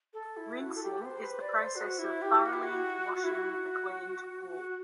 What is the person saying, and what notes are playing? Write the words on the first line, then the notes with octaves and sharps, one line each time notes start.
Rinsing is the process of thoroughly washing the cleaned wool.
A4
E4
F#4
A4
G4
B4
C5
B4
D5
C5
F#4
E4
G4
F#4
E4
F#4
F#4
E4
F#4
F#4